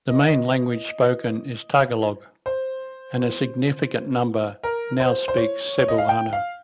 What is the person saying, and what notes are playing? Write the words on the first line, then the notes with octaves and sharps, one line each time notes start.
The main language spoken is Tagalog, and a significant number now speaks Cebuano.
D#5
D#5
C5
A#4
C5
C5
C#5
C#5
D#5
F5
G5
F5